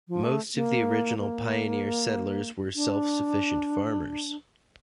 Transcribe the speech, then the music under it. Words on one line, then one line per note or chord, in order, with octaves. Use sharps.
Most of the original pioneer settlers were self-sufficient farmers.
F3
A3
A#3
A#3
D4